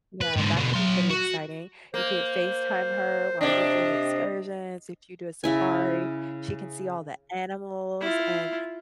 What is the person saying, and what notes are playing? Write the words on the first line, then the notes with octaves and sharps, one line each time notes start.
Yeah, that could be pretty exciting. You could FaceTime her while you're doing the excursions. If you do a safari, she can see all the animals and,
B4
G#2 D3
B2 D3
F#3 C6
F#4
A#3 C5
C3 D4 D#5
C#3 E4 G#5
E4 F4